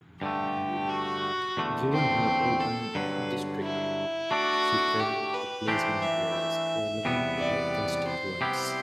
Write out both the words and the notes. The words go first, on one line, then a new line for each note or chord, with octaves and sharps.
Given her urban district, she felt the placement was irrelevant to her constituents.
G2 D3 A3 G4
F#4
E2 D3 A3
C4
A4
G2 D3 F#3 B4
E4
A3 D4 F#4 A4 D5
G4
B4
E3 A3 D4 G4 C5
E5
E2 C3 G3 B3
D5
C5
C3 G3 B3 E4 G4